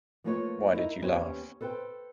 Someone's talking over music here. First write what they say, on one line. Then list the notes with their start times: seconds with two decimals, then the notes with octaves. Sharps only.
Why did you laugh?
0.24 F3 A3 A#3 A4 B4 C#5
0.71 D#4 E4 A#4
1.01 D#2 B3 C#4 G4 C5 C#5
1.61 A4 B4 C5 G5